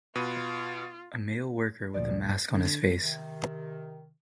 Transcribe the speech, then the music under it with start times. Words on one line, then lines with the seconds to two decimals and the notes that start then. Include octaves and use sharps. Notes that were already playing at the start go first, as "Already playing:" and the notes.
A male worker with a mask on his face.
0.16 B2 F4 B4 D#7
1.94 D2 A#2 F3 D5
2.51 D3
3.00 C3 D#3